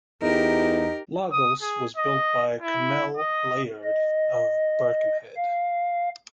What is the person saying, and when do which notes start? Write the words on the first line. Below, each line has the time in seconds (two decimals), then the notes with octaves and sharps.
"Lagos" was built by Cammell Laird of Birkenhead.
0.22 E2 D#4 G4 A#4
1.32 D#6
1.62 G#4
1.96 D#5
2.62 E4
3.17 D#5
3.84 D#5
5.36 F5